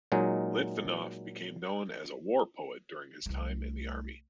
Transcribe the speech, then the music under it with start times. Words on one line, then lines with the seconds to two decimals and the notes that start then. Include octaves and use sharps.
Litvinoff became known as a war poet during his time in the Army.
0.12 A#2 F#3 G#3 D#4
3.26 C2 A3